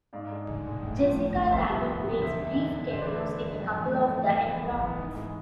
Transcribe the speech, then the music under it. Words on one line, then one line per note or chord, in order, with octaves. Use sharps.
Jessica Rabbit makes brief cameos in a couple of the environments.
G#2 D5 F5
G#3 D4
G#2
G#3 D4
A2
F3 A3
A2
F3 A3
C2 C5 E5
C3 F3 B3
C2
C3 F3 B3
E1 C5 E5
E2 D3
E1
E2 D3
E1 C5 E5
B4 D5
D2 D3
A4
E1
D2 D3
F2
E3 A3
F2 A4
E3 A3
F2
E3 B3
F2
E3 B3
G#2
E3 G#3